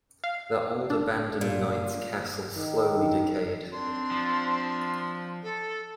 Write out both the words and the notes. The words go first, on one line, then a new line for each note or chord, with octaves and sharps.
The old abandoned knights' castle slowly decayed.
F5
D4
A#2
D#3
C4 D4 C6
F3
A4